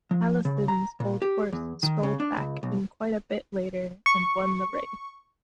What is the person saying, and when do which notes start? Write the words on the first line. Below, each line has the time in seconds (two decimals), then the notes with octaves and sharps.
Taliesin's old horse strolled back in quite a bit later and won the race.
0.11 F3
0.45 C#3
0.68 A#5
1.00 A#2
1.22 G4
1.53 E2
1.83 D#3
2.03 C#3
2.20 D4
2.37 C#2
2.63 B1
4.06 C#6